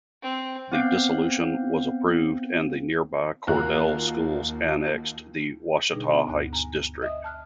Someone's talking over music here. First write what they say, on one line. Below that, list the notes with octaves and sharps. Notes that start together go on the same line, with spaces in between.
The dissolution was approved and the nearby Cordell schools annexed the Washita Heights district.
C4
B3 C4 F5 G6
D#2 F4 F#4 A#5 F#6
B2 D3 G3 D4 D#4 G#4
B3
D2 G2 F#6
G#5 A#5
D#5 E5 D#6
A5 F6 F#6